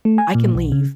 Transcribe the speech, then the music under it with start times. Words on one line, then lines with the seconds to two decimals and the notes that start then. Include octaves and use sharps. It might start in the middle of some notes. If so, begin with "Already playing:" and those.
"I can leave."
0.05 A3
0.18 G#5
0.35 A#2
0.55 B1
0.72 C#3